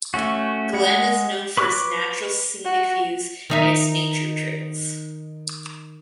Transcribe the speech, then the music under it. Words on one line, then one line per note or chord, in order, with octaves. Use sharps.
Glen is known for its natural scenic views and its nature trails.
A3 C#4 F#4
G#3 F#5
B4 C#6 D6 F6 F#6
F#4
D#3 D#4 E5